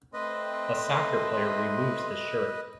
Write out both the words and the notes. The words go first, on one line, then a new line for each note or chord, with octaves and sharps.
A soccer player removes his shirt.
A3 C4 B4 D#5 C6